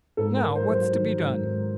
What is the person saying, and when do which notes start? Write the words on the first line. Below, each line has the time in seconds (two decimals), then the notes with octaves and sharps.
"Now, what's to be done?"
0.17 G#2 A4
0.37 A#4
0.43 G#2
0.55 C5
0.68 F#3
0.75 C5
0.93 D#3
1.19 G#2
1.45 G#2